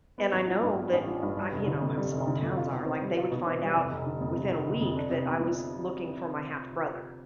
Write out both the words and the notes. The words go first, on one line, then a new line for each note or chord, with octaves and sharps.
and I know that, I you know, how small towns are, like they would find out within a week that I was looking for my half brother
B3
A1
F3
G2
B3
A1
F3
G2
G3
F1
D3
F2
G3
F1
D3
F2
F4
B2
C4
G3
F4
B2
C4
G3
F1
F1
D3
F2
F1
F1
D3
F2
D4
C3
B3
F3